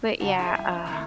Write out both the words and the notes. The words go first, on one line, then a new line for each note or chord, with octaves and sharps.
But yeah, uh
C#3 D4 F#4 F#5 A5 A#5
E4 G#4 D#5 E5
G3 E5
C#4
C3 D#3 A3 A#3 E4